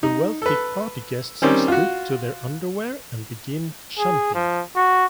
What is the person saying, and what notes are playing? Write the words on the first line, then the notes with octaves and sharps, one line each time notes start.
The wealthy party guests strip to their underwear and begin "shunting".
D#4
A4 B4
D#3 G3 C4 C#4
F4 F#4
G#4
F3
F#4